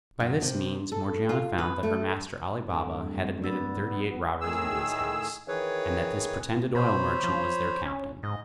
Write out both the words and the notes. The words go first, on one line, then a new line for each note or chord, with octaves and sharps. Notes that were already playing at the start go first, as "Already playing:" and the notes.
By this means Morgiana found that her master Ali Baba had admitted thirty-eight robbers into his house, and that this pretended oil merchant was their captain.
F#2
C3
A4
F4
B4
A3
D1 G2 A4
B3 D5 E6 A6
A2 D#3 G#4 E6
D#3 E3 G#4 B4 C#5
B2 C5 C#5 B5
F3
C#4
G#2 D#5